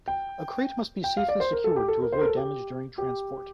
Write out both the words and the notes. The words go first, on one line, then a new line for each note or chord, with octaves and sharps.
A crate must be safely secured to avoid damage during transport.
G5
G5
F5
D5
C5
A#4
A4
G4
A4
A#4
C5
A#4
A4
G4
G4